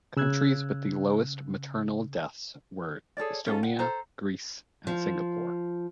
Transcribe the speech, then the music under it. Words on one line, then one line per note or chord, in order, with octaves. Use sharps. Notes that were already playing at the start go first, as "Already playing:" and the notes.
Countries with the lowest maternal deaths were Estonia, Greece and Singapore.
C#3 E6 F#6 G#6
G#4 A4 C#5 D5
C#4 F4 A4
F#5
A4 C5 A#5
F3